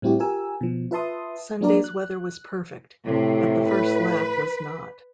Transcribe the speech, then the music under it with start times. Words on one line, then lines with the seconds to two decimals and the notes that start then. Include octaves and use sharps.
Sunday's weather was perfect, but the first lap was not.
0.02 A2 G3 C4 E4 F#4 G4
0.19 F4 G4 A#4 G#5 E6
0.61 B2 F3
0.91 F4 B4 E5 A5 C6 D#6
1.61 F#3 A#3 D4 F#4 A#4 D5
1.84 F#6
3.06 A2 C3
3.70 B4